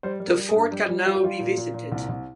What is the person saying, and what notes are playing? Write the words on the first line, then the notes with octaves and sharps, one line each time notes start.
The fort can now be visited.
G3 C5
G3
A#4
G3
G#4
G2
G3 G4
G3
G3 F4
G4
G3 F4
A#2
A#2
A#2
C2
C2